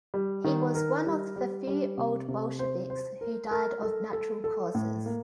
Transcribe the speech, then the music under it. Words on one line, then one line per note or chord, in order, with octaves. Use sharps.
He was one of the few Old Bolsheviks who died of natural causes.
G3
D#3
A#4
G3
G3
G3
C3
C3
C5
C5
A#4
A#4
A4
A4
A4
A2
A#3